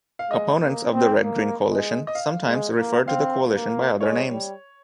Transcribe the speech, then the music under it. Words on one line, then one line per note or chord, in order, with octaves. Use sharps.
Opponents of the Red-Green Coalition sometimes referred to the coalition by other names.
F5
G#3 D#5
A#3
C4
A#3
G#3
D#5
F5
G#3
A#3
C4 F5
A#3
G#3 C#5
G3